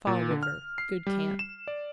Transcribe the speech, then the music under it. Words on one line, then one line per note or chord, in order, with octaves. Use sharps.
Fall River.--Good camp.
A#2
D3
F6
C7
G3
E7
D5